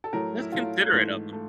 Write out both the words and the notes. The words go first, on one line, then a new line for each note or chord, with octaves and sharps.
That's considerate of them.
A4
A2 F#3 A3 A#4
E4
A2 F#3 A3 F4
G#2 E3 A3
A3